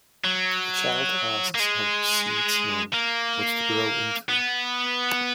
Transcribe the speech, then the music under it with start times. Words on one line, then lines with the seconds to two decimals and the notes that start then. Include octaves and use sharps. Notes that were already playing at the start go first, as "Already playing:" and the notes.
A child asks how seeds know what to grow into.
0.25 F#3
1.55 A#3
1.59 G#3
2.94 A#3
4.29 B3